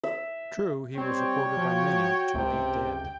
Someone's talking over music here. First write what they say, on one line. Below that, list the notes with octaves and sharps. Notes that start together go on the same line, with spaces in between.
True he was reported by many to be dead.
E5
G3 C4 C#5 G5
F3 F#4
C#2 C3